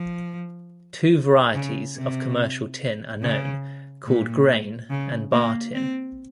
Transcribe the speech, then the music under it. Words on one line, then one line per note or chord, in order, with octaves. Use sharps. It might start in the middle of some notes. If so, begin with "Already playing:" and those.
Two varieties of commercial tin are known, called grain and bar-tin.
Already playing: F3
C#3
C3
C#3
A#2
C#3
A#3
C4